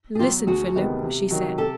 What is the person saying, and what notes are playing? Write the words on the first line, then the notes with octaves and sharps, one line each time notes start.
"Listen, Philip," she said.
G#4
B2 F#3 F4 G4
D2 F#4 G#4
C3 D#3 G#3 B3
C3
D#3 F#3
C3 G4 A4